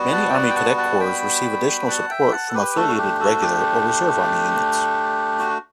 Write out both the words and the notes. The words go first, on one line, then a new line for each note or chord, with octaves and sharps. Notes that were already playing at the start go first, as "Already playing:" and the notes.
Many Army Cadet corps receive additional support from affiliated Regular or Reserve Army units.
Already playing: G3 B3 F#4
F#5 A5
G5
D5 F#5
G5
F#5 A5
F#5 A5
G5 B5
F#5 A5
E5 G5
B5
F#5 A5
A4
G4 B4
A3 D4 F#4 A4
F#4
G4
F#4 A4
G4
F#4